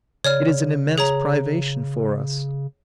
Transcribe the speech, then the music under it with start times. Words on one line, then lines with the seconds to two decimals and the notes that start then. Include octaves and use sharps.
It is an immense privation for us.
0.24 C#3 C#5 D5 F6
0.98 G#4 C#5 A#5